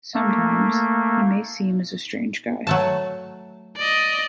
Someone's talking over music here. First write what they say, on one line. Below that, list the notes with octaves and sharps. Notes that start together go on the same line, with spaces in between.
Sometimes, he may seem as strange guy.
A3 A#3
F#3 A3 A5
D5 D#5